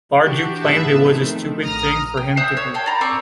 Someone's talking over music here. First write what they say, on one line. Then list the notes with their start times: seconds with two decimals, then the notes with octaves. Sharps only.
Pardew claimed It was a stupid thing for him to do.
0.22 E3 D4 F#4 G4
0.61 A2 B3 G#4 B4 E5 A5
1.00 D#3 F3 A3 C4
1.63 A#1 A#5 D#6 F6
2.17 G5
2.37 C5 E5 D#6 F#6
2.57 C#5
2.74 F5 G5 A5
2.86 D5 A#5 B5
3.01 C4 C#6 D6